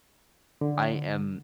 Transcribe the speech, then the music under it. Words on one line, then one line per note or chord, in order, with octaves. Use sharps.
I am
D3